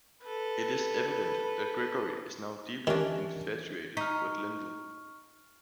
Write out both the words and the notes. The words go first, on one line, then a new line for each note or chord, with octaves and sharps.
It is evident that Gregory is now deeply infatuated with Lyndall.
A4 B4
D#3 E3 C#4 D4 G4 E5
D#4 C#6 F6